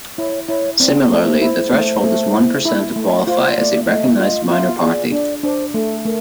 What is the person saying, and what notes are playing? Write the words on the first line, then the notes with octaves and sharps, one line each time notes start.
Similarly, the threshold is one percent to qualify as a recognized minor party.
E4 C#5
E4 C#5
C4 D5
A3 C5
E4
A3
A3
E4
E4
A3
F4 C5
A3 D5
A3 D#5
F4 D#5
F4 E5
G#4 D5
D4 D5
D4 C5
A3 A4
A3 A#4